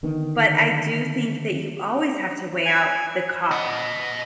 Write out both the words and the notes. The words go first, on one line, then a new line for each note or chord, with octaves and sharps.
but I do think that you always have to weigh out the costs
D3 D#3 B3
G#5
D#5 F#5